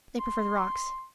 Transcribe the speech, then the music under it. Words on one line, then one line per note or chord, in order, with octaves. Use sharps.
They prefer the rocks.
C6